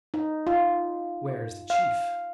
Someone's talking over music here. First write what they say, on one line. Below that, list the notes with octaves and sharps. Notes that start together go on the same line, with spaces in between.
"Where is the chief?"
D#4
F4
F5